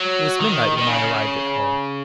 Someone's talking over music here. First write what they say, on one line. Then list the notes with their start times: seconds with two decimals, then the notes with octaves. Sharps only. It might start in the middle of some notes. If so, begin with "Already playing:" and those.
It was midnight when I arrived at home.
Already playing: F#3
0.40 D#3
0.77 D#3
0.87 C#3